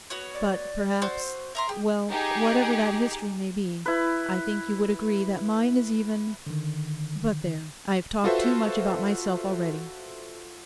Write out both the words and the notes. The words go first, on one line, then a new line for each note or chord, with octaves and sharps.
'But, perhaps--well, whatever that history may be, I think you would agree that mine is even--but, there, I've talked too much about myself already.
B3 F#4 C#5
D5
F#4 C5 E6
A#4 E5 A#5 C6
G4 G#4
D#4 G4 G#4 D#5
E4 B4
D3 D#3
F4 F#4 A4 B4 C5 E5